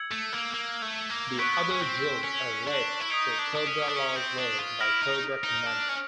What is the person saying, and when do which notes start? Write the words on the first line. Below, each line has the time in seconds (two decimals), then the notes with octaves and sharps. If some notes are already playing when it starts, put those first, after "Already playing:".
The other Joes are led to Cobra-La's lair by Cobra Commander.
Already playing: E6 G#6 C#7 F#7
0.11 A3
0.33 A#3
0.54 A#3
0.82 A3
1.10 A#3
1.39 B3 C#6 F#6 B6 D7
1.71 C#4
1.82 C4
2.24 C#4
2.67 D4
3.00 E4
3.10 D#4 D#6 G#6 B6 D7
3.38 D4
3.55 D4
3.67 C#4
3.88 D4
3.96 C#4
4.16 C4
4.38 D4
4.59 F4
4.80 E4 F6 A#6 D7 F7
5.02 D#4
5.44 D#4
5.66 D4
5.89 C#4